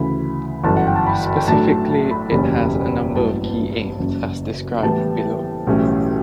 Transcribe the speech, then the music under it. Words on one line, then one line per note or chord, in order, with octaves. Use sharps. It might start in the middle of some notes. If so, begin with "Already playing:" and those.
Specifically it has a number of key aims, as described below.
Already playing: D2 C#3 E3 B5
G1 F#2 E3 A5
F#5
G5
A5
B5
G5
A2 F#3 A3 D4 A5
A5
A5
B5
F#1 E2 B2 G3 C#4 B5
A1 G2 F#3 B3 E4 A5
F#1 F#2 C#3 F#3
A2 E3 G3 B3 A5
B1 A2 E3 G3 C#4